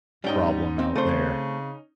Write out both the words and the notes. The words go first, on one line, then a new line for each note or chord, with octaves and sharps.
problem out there.
G#2 G3 C#4 D#4 G5
C4
C#3 A3 C5